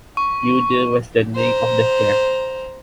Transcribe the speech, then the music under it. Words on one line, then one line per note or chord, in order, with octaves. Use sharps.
Yoder was the name of the camp.
C#6
C5 A#5